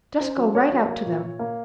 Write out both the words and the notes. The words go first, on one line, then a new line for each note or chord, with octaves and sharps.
Just go right out to them.
C#4 C5
F#3
A#3 C#5
F#3
A#3
A#2
A#2
A#3